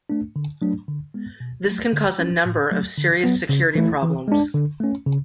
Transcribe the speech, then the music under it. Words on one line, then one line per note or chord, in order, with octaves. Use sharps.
This can cause a number of serious security problems.
A3 D4
D3
F#3 A3 D4
D3
G#3 B3
B2
F#3 A3
D3
F#3 C#4 E4
A2
F#3 A3
D3
F#3 B3
C#3
E3 A3 E4
E3
G#3 D4
D3
A3 C#4
C#3